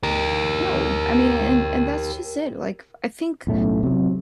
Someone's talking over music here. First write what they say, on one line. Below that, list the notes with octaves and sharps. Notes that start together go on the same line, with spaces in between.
No. I mean, and and that's just it. Like, f I think
G4 A#4
B1 A2 A3 C#4
C3 F#3